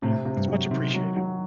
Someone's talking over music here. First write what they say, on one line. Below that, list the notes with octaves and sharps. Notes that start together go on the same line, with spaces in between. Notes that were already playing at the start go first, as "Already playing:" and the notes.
Yeah, it's much appreciated.
A2 C3
C3
G2
F#3
C3 D#3
F#3
F#3